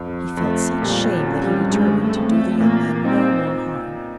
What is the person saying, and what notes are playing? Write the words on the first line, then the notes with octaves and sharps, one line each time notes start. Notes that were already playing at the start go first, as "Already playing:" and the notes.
He felt such shame that he determined to do the young man no more harm.
Already playing: F2
F2 A3
A#2 G3
F#3
C#4
G3
G2 G#3
A3
C4
A3
A#2 A#3
C4 D#4